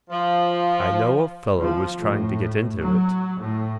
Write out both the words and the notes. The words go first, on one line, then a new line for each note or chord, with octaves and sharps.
I know a fellow was trying to get into it.
F3
F3
A2
F#3
A2